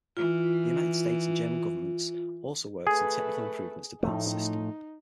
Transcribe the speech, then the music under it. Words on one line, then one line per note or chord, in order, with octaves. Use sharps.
The United States and German governments also worked on technical improvements to Bell's system.
E3 F4
A3 G#4 B4
A2 F3 A3 D#4